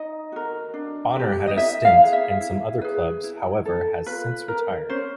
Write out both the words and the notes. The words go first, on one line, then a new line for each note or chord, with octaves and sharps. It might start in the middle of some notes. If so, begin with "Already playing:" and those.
Bonner had a stint and some other clubs however has since retired.
Already playing: D#4 D#5
F#4 A#4
D4
G4 B4
D#5
E4 E5
F5
B4
G#4
E5
E4
G#4 B4
E4
A4
F4 B4
A#4
C#4 C5